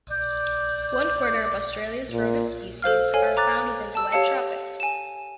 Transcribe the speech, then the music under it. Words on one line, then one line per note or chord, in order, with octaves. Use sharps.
One quarter of Australia's rodent species are found within the Wet Tropics.
D5 G6
A#2
A4 C5 F5 F6
A4 C#5 F5 G#5
A#5 D6 F#6 A6
A5 E6
G4 C#5 F5 A5 C#7
G#5 E7